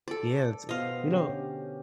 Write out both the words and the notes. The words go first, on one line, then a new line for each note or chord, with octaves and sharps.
Yeah, it's you know
A4 D5
B2 B3 C5 D#5 F5
D3 C#4 G4